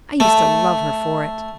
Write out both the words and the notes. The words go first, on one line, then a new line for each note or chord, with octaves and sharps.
I used to love her for it.
A3